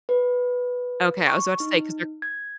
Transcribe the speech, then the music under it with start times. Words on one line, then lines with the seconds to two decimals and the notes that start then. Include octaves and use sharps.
Okay, I was about to say, 'cause they're
0.09 B4
1.28 C#6
1.60 D#4
2.22 G#6